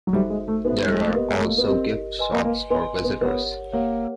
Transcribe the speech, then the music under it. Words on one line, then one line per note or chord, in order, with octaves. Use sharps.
There are also gift shops for visitors.
F#3
G3 D#4 F#4 A4 C5 E5
G#3
A3
B3 D#4 F#4 A4 C5 E5
G3
G#3
A3
A#3
B3 G4 A#4 D#5
G#3
A3
A#3
B3
C4 G4 A#4 D#5
B4 D#5 G#5 C6
A#3
A#3
B3 B4 D#5 G#5 C6
B3
B3 G4 A#4 C#5 F#5
A#3 G4 A#4 C#5 F#5